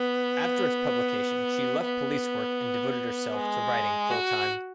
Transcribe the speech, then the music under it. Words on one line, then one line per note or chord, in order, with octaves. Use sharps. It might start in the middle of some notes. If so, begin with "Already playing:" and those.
After its publication, she left police work and devoted herself to writing full-time.
Already playing: B3
B3
G#3
F#4